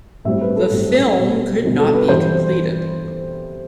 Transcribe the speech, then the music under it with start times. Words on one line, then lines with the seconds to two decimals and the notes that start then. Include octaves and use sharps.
The film could not be completed.
0.25 A2 G3 C4 E5
0.41 B4
0.56 A4
0.71 A2 G3 C4
1.17 B2 G3 C4
1.63 B2 G3 C4
1.78 A4
1.93 B4
2.08 E3 G3 C4 E4 C5